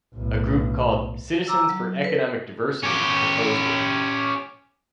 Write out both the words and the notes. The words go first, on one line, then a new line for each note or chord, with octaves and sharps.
A group called "Citizens for Economic Diversity" proposed it.
B1 A2
A#5 D6 E6
F#3
A4 B4
C#4 G4